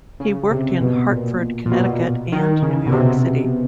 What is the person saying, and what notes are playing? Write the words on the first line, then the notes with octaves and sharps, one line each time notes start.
He worked in Hartford, Connecticut, and New York City.
C#3
C3
B2
A#2
A#2
B2
D#3
C#3
B2
C3